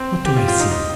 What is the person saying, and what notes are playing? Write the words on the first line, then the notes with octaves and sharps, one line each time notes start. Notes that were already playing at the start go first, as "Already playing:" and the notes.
"What do I see?"
Already playing: C4
G4
F4
F4
D#4
D#4